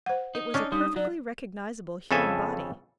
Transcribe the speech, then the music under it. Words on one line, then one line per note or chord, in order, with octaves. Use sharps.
It was a perfectly recognisable human body.
C5 F#5
D#4
C#4 D4
G3 D#4 D#6
F#3 D5
F2 C#3 A4 E5 G#5